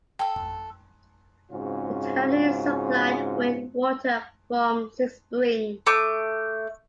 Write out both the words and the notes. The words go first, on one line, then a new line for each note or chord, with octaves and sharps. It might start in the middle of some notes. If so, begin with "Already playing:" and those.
The town is supplied with water from six springs.
A4 G5 E6
G#2 C#3 C4 C#4 F4 F#4
A3 D6